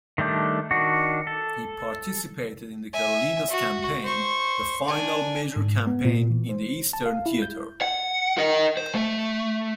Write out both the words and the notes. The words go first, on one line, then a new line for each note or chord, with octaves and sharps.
He participated in the Carolinas Campaign, the final major campaign in the Eastern Theater.
D#3 G3 A3 D4 G6
D#3 D4 F#4
A4
E5 G#5
F#4
C5 C#6
D4 G#5
G#2
B3
A#2
E3
C5
A5
F5
E4
G6
F#5
A#4 D#5
C5
A3